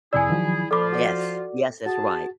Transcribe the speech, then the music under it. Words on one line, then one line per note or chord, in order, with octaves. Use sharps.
Yes, yes, that's right.
F2 C3 E4 G#4 D5 G#5 E6
D#3 F3 F#3
F3 F4 A4 D5 B5 D6
F#4 D5
F#4 G#4 A5